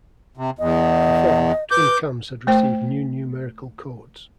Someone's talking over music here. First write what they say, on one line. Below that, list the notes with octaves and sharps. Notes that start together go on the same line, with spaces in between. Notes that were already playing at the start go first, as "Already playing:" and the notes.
Before, twin cams had received new numerical codes.
C3
E2 D#5
B4 D6 G6
A3 C5 G5